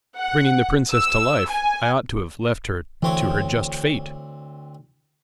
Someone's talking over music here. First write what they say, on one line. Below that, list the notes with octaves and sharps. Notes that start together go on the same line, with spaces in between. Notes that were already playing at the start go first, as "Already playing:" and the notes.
"Bringing the princess to life: I ought to have left her to her just fate."
F#5
E6
G#5
D2 E3 C4 C#5